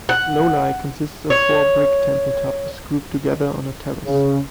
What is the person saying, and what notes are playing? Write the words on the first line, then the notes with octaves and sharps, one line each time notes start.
Lolei consists of four brick temple towers grouped together on a terrace.
F#5
C#5
C#3